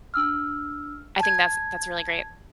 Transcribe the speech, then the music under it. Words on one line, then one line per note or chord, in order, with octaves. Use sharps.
I think that's that's really great.
D4 E6 F6
A5 G#6